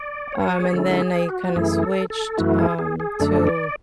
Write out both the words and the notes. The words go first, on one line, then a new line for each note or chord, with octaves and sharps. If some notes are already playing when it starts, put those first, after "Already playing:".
um, and then I kinda switched, um, to
Already playing: D5
C#5
F#4
G#4
D3 G#3 C#4 E4 A4
G#4
F#4
F#2 E3 A3 E4 G#4
A4
A4
F#2 E3 A3 E4 F#4
G#4
G#4
G#4
F#2 D3 A3 D4 A4
D5